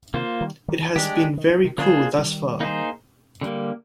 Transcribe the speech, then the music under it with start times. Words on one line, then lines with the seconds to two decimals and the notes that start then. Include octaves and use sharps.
It has been very cool thus far.
0.14 C3 D#3 A#3 F4 C5
0.41 D#3 G3
0.68 D#3 G3
0.96 D#3 G3 G#3 D4 G4
1.37 D#3
1.50 F3
1.64 C3 D#3
1.78 D3 F3 A#3 D4 F4 G#4 C5
2.19 D#3 G3
2.60 A#3 D#4 G#4 C5
3.41 D3 G3 A#3